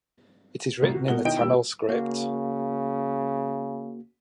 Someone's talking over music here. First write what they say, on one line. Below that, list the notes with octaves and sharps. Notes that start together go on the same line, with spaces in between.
It is written in the Tamil script.
C2 A2
F#4
B2 F#4 A#4 F#5 G7
B2 D#3 E4 D#5 G5 D7
D#1 A#2 G3 E6
C#3 A#3 F#4